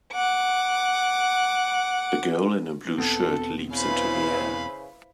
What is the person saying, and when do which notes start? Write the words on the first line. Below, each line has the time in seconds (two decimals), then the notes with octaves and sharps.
A girl in a blue shirt leaps into the air.
0.13 F#5 D6
2.98 E1 B3 C4 A4
3.72 C#3 E4 B4 C5 F5 B5